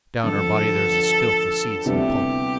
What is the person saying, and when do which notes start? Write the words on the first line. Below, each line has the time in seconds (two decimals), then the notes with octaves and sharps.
Down her body there was a spilth of seeds and pulp.
0.23 G2 D3 F3 A4
1.86 D2 C3 G3 B3 E4 G4